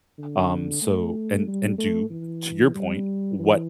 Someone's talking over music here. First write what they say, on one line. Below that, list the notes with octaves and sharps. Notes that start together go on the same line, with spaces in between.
um, so, and and do to your point, what
D3
A3
G3
A3
E3
G3
E3